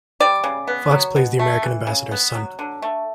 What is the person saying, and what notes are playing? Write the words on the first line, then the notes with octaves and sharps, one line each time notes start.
Fox plays the American ambassador's son.
G3 D5
C#3
B3
F#3
B2
A3
E3
C#3
B3
F#3
D3
A3